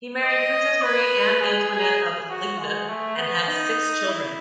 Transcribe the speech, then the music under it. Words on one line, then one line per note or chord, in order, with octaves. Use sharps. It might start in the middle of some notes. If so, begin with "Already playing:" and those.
He married Princess Marie Anne Antoinette of Ligne and had six children.
D#5
B4
G#4
G#4
F#4
G#3
A3
B3
D#4
E4